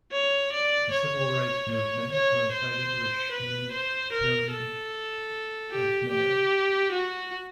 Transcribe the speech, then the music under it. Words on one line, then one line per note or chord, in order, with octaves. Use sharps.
The civil rights movement coincided with Schmied's term as mayor.
C#5
D5
C#5
C#5
C#5
C5
B4
C5
A#4
A4
G4
G4
F#4